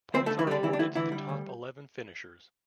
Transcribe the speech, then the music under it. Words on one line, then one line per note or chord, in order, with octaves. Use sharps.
Points are awarded to the top eleven finishers.
D2 C4 C5
A3 A4
D3
E3 E4
D3 G3 D4
D2 E3 E4
D4
D2 E3 E4
D3 E3 E4
G3
D2